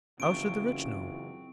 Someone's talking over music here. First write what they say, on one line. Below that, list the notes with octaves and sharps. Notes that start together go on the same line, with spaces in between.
How should the rich know?
F#1 C#3 E3 C4 F4 C#6 D7